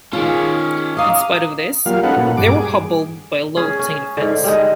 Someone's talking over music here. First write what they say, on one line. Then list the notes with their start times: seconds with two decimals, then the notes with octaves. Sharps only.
In spite of this, they were hobbled by a low-octane offense.
0.13 D#3 C#4 F4 G#4 D5
0.97 D#5 F5 A#5 D6 D#6
1.86 F#3 G3 A#3 F4 F5
2.03 C#4 D#4 F#4 A4 B4 F#5
2.16 A#2 F#4
2.37 G2 D6
2.55 G#4
3.56 C#4 G#4
3.79 C#4
4.17 G#2 D3
4.44 G3 G#3 D#4